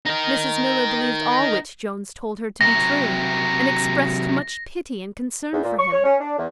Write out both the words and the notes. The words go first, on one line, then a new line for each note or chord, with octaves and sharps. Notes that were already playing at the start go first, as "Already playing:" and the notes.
Mrs Miller believed all which Jones told her to be true, and exprest much pity and concern for him.
D#4 A#4
C3 F#3 A#6
E2
A#2
C#6
C#5
C#4
D4
E2